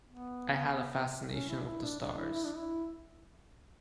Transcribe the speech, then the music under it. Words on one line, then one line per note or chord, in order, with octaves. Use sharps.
I had a fascination with the stars.
B3
C#4
E4
D4
E4
D4
D4
E4
E4
D4
E4